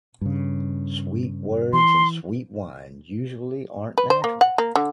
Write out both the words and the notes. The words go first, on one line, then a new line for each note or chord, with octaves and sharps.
Sweet words and sweet wine usually aren’t natural.
G2 C#3
E3 C6
B4
C5
A#3
F#5
A#3
D3